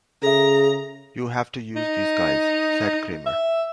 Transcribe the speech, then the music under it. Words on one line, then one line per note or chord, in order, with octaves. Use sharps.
"You have to use these guys," said Cramer.
C#3 G#4 A4 E5 A#5
D#4
E5